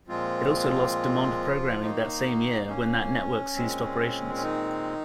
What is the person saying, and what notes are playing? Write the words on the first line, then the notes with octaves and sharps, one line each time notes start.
It also lost DuMont programming that same year when that network ceased operations.
A#2 F3 G#3 C4 F4
D#3 A#3 D#4
C#4
A#2 G#3 C4
C#4
D#3 D#4